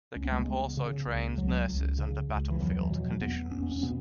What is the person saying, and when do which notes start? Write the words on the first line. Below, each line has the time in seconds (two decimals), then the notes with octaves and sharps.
The camp also trained nurses under battlefield conditions.
0.15 C#2 C#4
0.24 B3
0.32 G#3
0.41 B3
0.46 C#3
0.77 C#3
1.07 C#2
1.37 C#2 F#3
1.68 C#2
1.98 C#3
2.29 C#2
2.50 E3
2.60 E2 F#3
2.81 E3
2.90 B2 F#3
3.21 E2 B3
3.51 E2 C#4
3.62 B3
3.72 C#4
3.83 B2 B3